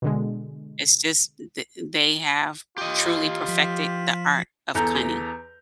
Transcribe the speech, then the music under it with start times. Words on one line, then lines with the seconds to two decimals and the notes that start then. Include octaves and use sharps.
It's just that they have truly perfected the art of cunning.
0.02 B2 D3 G#3
2.78 F4 G4 D#5
3.49 F3 B6
4.75 E2 A4 A#5 G6